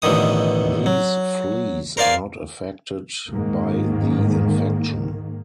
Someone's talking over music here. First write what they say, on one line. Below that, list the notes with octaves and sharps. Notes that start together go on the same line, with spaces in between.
These fleas are not affected by the infection.
A1 B2 D3 D#3 D#6
F#3
A#4 C5 D5 F5 G#5
G#2 D#3 A#3